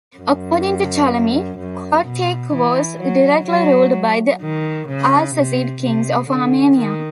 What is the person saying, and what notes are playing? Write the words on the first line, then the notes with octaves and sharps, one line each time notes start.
According to Ptolemy, Kotayk was directly ruled by the Arsacid kings of Armenia.
F#2
F#2
B2
E3
F#3
F#3
D#3
C#3
C3
C3
D3
D#3